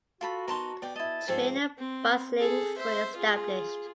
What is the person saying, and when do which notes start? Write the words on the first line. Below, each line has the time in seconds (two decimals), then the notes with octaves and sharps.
Train and bus links were established.
0.21 F4 F#4 A4 B5
0.48 B2 D#4 A#4 A5 C6
0.82 B2 D5 G5
0.96 E4 D#5 A5
1.28 G#2 F3 C4 G#4 A4
1.78 C4
2.38 G#4 A4
2.78 C5 E5
3.16 F4 G#4